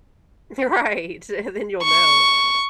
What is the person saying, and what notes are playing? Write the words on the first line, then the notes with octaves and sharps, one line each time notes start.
You're right, and then you'll know.
C#6